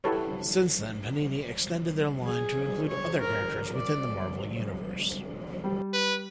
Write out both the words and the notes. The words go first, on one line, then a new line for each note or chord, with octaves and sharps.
Since then Panini extended their line to include other characters within the Marvel Universe.
E4 F#4 G4 A4 B4 C#5
G#4
C#5
A#4
D5
G3
B4